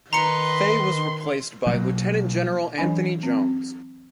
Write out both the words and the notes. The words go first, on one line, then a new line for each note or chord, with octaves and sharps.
Fay was replaced by Lieutenant General Anthony Jones.
D#3 B4 D#5 A#5 C6 C#7
B2 F#3 A#3
E3 F#3 C#4 D4 G#5
C4